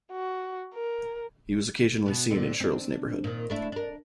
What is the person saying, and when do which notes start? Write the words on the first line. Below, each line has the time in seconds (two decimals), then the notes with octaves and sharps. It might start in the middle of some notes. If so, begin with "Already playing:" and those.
He was occasionally seen in Shirl's Neighbourhood.
0.12 F#4
0.74 A#4
2.06 B2 B3
2.30 A#2 D3 C4
2.60 C4 D4
3.24 A#2 D#3
3.50 A3 D4 E4
3.72 D4 A#4